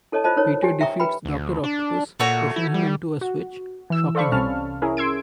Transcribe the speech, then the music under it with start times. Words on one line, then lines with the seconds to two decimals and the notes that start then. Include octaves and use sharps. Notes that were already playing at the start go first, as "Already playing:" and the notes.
Peter defeats Doctor Octopus, pushing him into a switch, shocking him.
0.12 E4 A4 C#5 D#5 A5
0.24 F4 C5 D#5 A5
0.37 D#4 A#4 C#5
0.63 G4 G5 G#5
0.81 E5 G5 A#5 C#6 D#6
1.00 B4 G5 A#5 B5
1.25 D2
1.64 D4
2.20 A#2 A3 F#4 C#5
2.56 E4
2.74 G3
3.21 F#4
3.90 E3 E6
4.15 A4 C5 D5 F5 B5 C#6
4.32 C2 C3 C#4 A5 F6
4.82 C#4 E4 G#4 A#4
4.97 C6 E6 G#6 D7